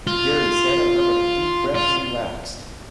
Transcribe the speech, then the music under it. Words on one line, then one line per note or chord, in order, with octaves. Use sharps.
Geary said I let out a deep breath and relaxed.
F4
F4